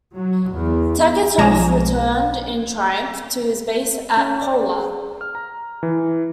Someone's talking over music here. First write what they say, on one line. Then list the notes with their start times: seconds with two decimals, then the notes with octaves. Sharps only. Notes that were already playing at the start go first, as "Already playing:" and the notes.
Tegetthoff returned in triumph to his base at Pola.
0.15 F#3
0.51 E2
1.38 B1 F3 G#3 G#5 A#5 E7
4.17 C#4
4.42 D5
4.70 G#4
5.21 F6
5.35 A#5
5.83 E3